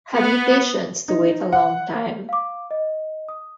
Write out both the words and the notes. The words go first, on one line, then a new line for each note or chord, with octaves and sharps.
Have you patience to wait a long time?
B3
D#4
F#5
F5 D6
D#5
D#6